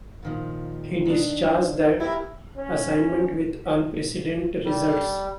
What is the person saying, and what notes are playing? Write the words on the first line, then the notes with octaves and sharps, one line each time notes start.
He discharged that assignment with unprecedented results.
A#2 D#3 F3
D#3 D4
E4 G4 A#4
C#4
G3